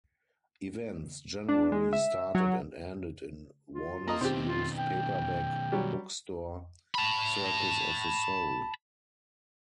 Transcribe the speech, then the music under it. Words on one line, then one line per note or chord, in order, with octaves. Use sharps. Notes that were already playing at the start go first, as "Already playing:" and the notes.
Events generally started and ended in Warne's used paperback bookstore, "Circus of the Soul".
D4
G#3
E5
F#3
F4
A#3 D#5 A#5
B2 D#3 C4 G4
F4
G5
F#3 G3 G4
A5 B5